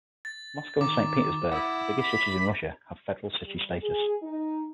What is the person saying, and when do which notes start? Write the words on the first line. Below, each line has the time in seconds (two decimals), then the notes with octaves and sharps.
Moscow and Saint Petersburg, the biggest cities in Russia, have Federal city status.
0.25 A6
0.81 D#3 D6
1.52 E4 F#5 D#6 E6
1.99 B5 B6
3.46 G3
3.83 G#4
4.22 D#4